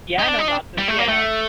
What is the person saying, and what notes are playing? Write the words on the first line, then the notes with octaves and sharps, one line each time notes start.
Yeah, I know Maltas, yeah.
D#4
D4
D#4
D4
G3
A3
A#3
A3